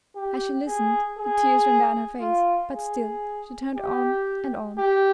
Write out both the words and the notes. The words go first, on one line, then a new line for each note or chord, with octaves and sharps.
As she listened, the tears ran down her face, but still she turned on and on.
G4
G#4
G#4
F4
G#4
G4
G4